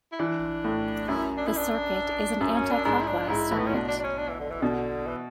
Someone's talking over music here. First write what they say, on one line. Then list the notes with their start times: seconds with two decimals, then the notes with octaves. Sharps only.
The circuit is an anticlockwise circuit.
0.12 E4
0.20 E3 D4
0.64 A2
1.08 F#2 E4
1.38 D4
1.47 E4
1.57 D4
2.41 F#2
2.56 C#4
2.70 D4
2.85 G#2 D4
3.02 E4
3.08 D4
3.29 G#2 E4
3.51 A2
3.59 B3
3.66 C#4
3.74 B2 D4
3.88 D4
3.99 D4
4.03 C#4
4.18 D4
4.29 E3
4.40 D3
4.51 E3
4.62 B2 D3
5.07 E3